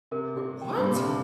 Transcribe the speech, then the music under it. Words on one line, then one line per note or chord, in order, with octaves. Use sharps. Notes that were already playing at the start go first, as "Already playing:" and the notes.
We what?
C3 A#4
G4
G5
G2
A#2 G4
C3
D3